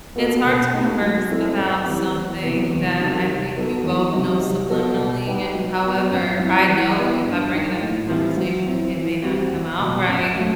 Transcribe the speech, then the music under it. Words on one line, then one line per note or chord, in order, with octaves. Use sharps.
It's hard to converse about something that I think you both know subliminally, eh, however, I know if I bring it up in conversation, it may not come out right.
B3 F#4 A4 D#5
B2
A3 D#4 G4
F#3
C4 E4 A4
F#2
E3 G3 C4
E2
C3 E3 B3
E2
C3 D#3 F#3
G3
B3 D#4 F#4 A4
E2
C3 F#3 C4 D#4
G3
B3 F#4 A4 D#5
B2
G3 D#4 G4 B4
F#3
B3 F#4
F#2
F#3 C4 E4
E3
B3 E4
G2
D#3 G3 D#4 G4
A2
E3 G3 C4 E4
F#3
C4 E4
E3
G3 C4 F#4
E2
B2 F#3
F#2
F#3 A3